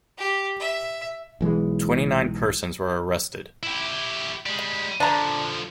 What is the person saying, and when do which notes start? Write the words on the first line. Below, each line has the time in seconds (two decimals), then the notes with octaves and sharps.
Twenty-nine persons were arrested.
0.18 G4
0.60 E5
1.41 B1 E3 G#3
3.63 E4 G4
4.46 G3 G#3
5.00 D3 F3 D4 A#5